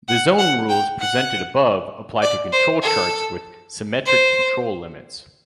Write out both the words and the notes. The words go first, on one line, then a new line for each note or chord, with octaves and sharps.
The zone rules presented above apply to control charts with symmetric control limits.
F#5
F#5
G5
F#5
D5
C5
A4
C5